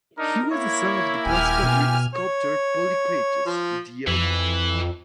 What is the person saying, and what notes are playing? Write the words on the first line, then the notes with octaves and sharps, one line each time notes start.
He was the son of the Classical Greek sculptor Polykleitos, the Elder.
D4 D#4 A#4
A#3 E4 C#5
D#1 G4 G#5 F6
B2
C#5
F3
F2 E3